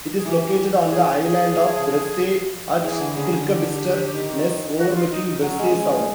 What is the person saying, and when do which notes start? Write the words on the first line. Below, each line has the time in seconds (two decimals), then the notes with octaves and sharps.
It is located on the island of Bressay at Kirkabister Ness overlooking Bressay Sound.
0.17 G#4
0.25 E3 G4
0.90 G#4
1.23 G#4
1.55 F3
2.84 E3 G#4
3.00 D3
3.16 C#3 G#4
3.32 D3
3.49 G4
4.14 D#3
4.78 F#4
4.94 F4
5.11 D#4
5.26 D#4
5.42 F#3 C#4
5.59 G#3
5.75 G#3 C#4